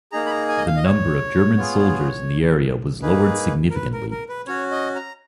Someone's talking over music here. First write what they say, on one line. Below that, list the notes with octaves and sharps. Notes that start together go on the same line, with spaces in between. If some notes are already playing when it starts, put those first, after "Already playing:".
The number of German soldiers in the area was lowered significantly.
A#3 D#4 G#4 A#5
B5
A#5
G#5
D#5
F5
D#5
C#5
B3 F4 G#4
A#3 D#4 G#4 B4
A#4
B4
A#4
A#4
B4
C#4 F#4 C#5
D#5
A#5